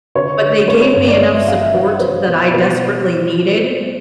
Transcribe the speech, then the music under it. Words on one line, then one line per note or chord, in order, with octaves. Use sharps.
but they gave me enough support that I desperately needed.
D3 C#5
D3
C#3 C#5
C#5
G1 C#5
D5
A3 D#5
E5
G2 F5
E5
E3 C#5
E3 C5
B2
B2 C5